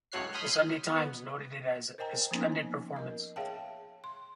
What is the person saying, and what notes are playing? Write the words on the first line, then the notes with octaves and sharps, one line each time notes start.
"The Sunday Times" noted it as "a splendid performance".
C#2 A2 F#3 C#5 F#6 C7
B5 C6 D#6 F6 G6
B3
A#4 C5 D#5 G5 G#5 A#5
F3 A#3 B3 C#4 D#4
G#5
A#4 D#5
G#4 C#5 E5 F5 G5 A5
C6